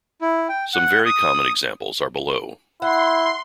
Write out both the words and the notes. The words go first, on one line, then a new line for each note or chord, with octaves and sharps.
Some very common examples are below.
E4
G5
F#5
D#6
E4 F#5 C6